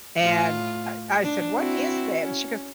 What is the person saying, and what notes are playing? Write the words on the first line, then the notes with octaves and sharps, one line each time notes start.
and I I said, "What is that?" and she goes,
A2 F4
D4
C4 E4 F#4
C#4